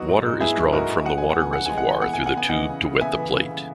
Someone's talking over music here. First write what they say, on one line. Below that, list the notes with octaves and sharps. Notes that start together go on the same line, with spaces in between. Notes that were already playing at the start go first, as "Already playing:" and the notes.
Water is drawn from the water reservoir through the tube to wet the plate.
Already playing: F#3 B3 D#4 F#4
G#2
G#2
B3 E4 G#4
F#3
G#2 F#4 A#4
G#2
G#3 F#5
E3 G#5
F#5
B3 G#5
C#3 F#5
G#5
G#3
F#5
E3 G#5
B3 F#5
G#5
C#3
F#5
B3 G#5
E3 D#5 F#5
C#3
C#3
B3 E5 G#5
E3
C#3
C#3